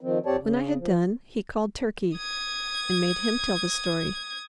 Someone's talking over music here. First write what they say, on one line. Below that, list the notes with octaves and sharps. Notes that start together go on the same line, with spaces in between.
When I had done, he called Turkey, and made him tell the story.
D#3 F3 C4
F2 C4 G4 C#5 D5 A5
C#3
F3
D#6 G#6